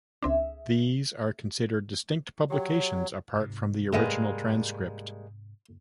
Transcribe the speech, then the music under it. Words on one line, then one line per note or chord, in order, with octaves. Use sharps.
These are considered distinct publications apart from the original "Transcript".
C#2 C4 D4 G#4 E5
F#3 G4 G#4 C#5 G5
G#2 C3
A2 G3 G#3 A#3 B3